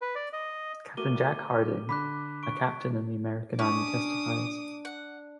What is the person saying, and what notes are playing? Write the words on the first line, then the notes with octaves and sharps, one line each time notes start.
Captain Jack Harding, a captain in the American army testifies.
B4
D5
D#5
A3 F#4 A#4 D6 D#7 G7
D3 D4 B5 D6 F#6 B6
C#6 D7
C#4 D4 D6 D#6
F#5